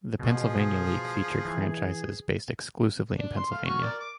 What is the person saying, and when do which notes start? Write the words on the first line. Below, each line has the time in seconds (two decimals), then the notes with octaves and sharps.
The Pennsylvania League featured franchises based exclusively in Pennsylvania.
0.19 B2 F3 G#4
1.45 E3
3.18 D4
3.37 C6
3.51 A3 F5
3.66 F#4 C#6 F6
3.82 A#4 D5
4.01 D6